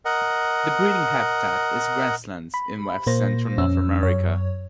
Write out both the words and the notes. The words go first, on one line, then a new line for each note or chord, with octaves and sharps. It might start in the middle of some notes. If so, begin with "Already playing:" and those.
The breeding habitat is grasslands in west-central North America.
A#4 D#5 F#5
B5
A#2 A#3 C5 A#6
F2 C#4 E6
F#2 C#5